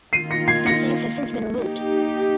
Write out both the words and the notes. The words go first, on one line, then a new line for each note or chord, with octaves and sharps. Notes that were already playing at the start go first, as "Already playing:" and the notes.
These tanks have since been removed.
D#3 A#3 F4 C7 D#7
A#6 C#7
G#6 C7
A#6 C#7
A#3 D#4 G4